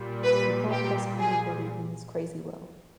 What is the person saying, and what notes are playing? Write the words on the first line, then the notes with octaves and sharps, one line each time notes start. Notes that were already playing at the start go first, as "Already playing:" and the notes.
You can't trust anybody in this crazy world.
Already playing: A#2 G3
B4
G4
G#4